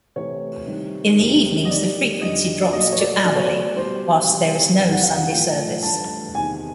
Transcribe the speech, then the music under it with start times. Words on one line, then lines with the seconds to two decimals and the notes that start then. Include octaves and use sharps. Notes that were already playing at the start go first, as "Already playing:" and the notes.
In the evenings the frequency drops to hourly, whilst there is no Sunday service.
0.16 C3 E3 A3 C#5
0.67 C3 D#3 G3
1.18 E2 C3 D#3 G3
1.65 D#5
1.70 C3 D#3 G3 D5
2.21 F2 D3 G3 D#5
2.62 D5
2.73 A#2 F#3 A3 D#5
2.92 C#5
3.00 D5
3.25 B2 F#3 A3 D5
3.35 C#5
3.47 D5
3.76 B2 G3 C5
4.28 C3 E3 G3
4.79 F2 C3 E3 G5
4.91 F#5
5.03 F5
5.15 F#5
5.31 A2 F3 A3 G5
5.83 G2 E3 A3 A5
6.35 E2 C3 D#3 G#5